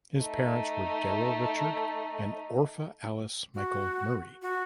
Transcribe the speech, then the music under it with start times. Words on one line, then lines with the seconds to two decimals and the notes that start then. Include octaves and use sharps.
His parents were Darrell Richard and Orpha Alice Michael Murray.
0.19 A3 D#4
3.55 F#4
4.42 F#4